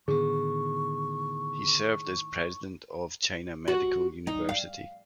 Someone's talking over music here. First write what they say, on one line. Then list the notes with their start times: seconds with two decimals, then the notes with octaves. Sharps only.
He served as President of China Medical University.
0.08 A2 D3 D#3 B3 G#4 C#6
3.68 F#4
4.27 D#4
4.49 F5